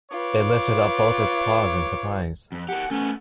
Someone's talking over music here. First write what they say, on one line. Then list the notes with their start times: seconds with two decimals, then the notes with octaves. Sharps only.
It lifted up both its paws in surprise.
0.11 F4 B4 C#5 D6
2.52 F2
2.69 G4 A#4 F#5
2.91 A3 B3 C#4